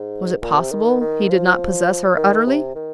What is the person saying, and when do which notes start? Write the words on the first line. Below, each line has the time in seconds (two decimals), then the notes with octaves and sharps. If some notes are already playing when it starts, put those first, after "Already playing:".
Was it possible he did not possess her utterly?
Already playing: G#2
0.42 A#2
0.57 C3
0.72 D#3
1.01 D#3
1.29 F3
2.17 D#3
2.47 C3
2.75 D#3